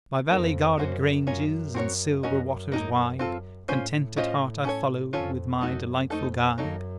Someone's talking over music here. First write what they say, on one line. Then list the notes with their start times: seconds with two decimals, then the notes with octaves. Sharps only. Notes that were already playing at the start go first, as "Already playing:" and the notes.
By valley-guarded granges And silver waters wide, Content at heart I followed With my delightful guide.
0.30 F2 A#3 D#4 A#4
0.78 F#2 A#3 C#4 F#4 C5
1.27 F#2 C#4 F4 A#4 C#5
1.74 C4 F#4 A#4 C#5
2.23 F#2 C#4 F#4 A#4 D#5
2.72 A#3 D#4 A#4
3.19 F#2 C4 F4 A4
3.68 A2 C#4 F4 C5
4.16 C#4 F4 C5 D#5
4.65 C#4 A4 C#5
5.13 F2 C#4 F4 A4 C#5
5.61 F#2 A3 D#4 F#4
6.10 F2 A3 D#4 A4
6.58 F#2 F#3 A#3 D#4 A4